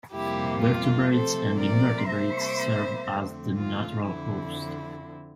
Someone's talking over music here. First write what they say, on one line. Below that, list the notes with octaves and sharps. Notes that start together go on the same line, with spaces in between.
Vertebrates and invertebrates serve as the natural host.
F2 C3 G3 A#3 E4 G4
F4
C3 F3 A3 C4 A4 C5
A#4 D5
C3 G3 A#3 C5 E5
F2 D3 A3 C4
F4
F2 D3 F3 C4 E4